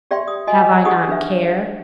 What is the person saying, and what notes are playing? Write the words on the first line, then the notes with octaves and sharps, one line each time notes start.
Have I not care?
G4 D5 E5 G5 C6
D#6
F#4 D#5 G#5
D#4 G4 G#4 F#5 C#6 D#6
D4 B4 E5